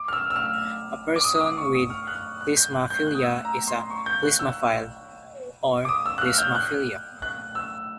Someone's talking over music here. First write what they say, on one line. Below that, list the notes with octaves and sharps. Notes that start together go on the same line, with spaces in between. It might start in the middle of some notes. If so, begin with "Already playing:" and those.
A person with klismaphilia is a "klismaphile" or "klismaphiliac".
Already playing: D6
F6
E6
E6
F6
D6
D#6
D#6
D6
C#6
D#6
F6
F#6
F#6
G6
F#6
G6
F#6
D#6
E6
A#5
C6
C#6
G6
F#6
E6
D6
D#6
E6
F#6
F6
G6
F#6
F#6
E6